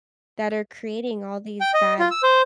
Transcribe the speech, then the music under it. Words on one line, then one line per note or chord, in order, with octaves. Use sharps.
that are creating all these bad
G5
D#5
F4
E6
C5